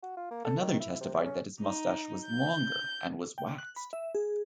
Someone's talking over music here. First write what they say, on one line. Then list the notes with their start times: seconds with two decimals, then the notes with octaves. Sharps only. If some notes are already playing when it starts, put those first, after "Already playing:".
Another testified that his mustache was longer and was waxed.
0.03 F#4
0.17 F4
0.31 A#3
0.45 A4
0.60 D#3
0.80 E4
1.00 C3
1.14 G3
1.26 C#4
1.60 D#4
2.26 G6
3.38 G5
3.58 F#6
3.76 B5
3.93 E5
4.15 G#4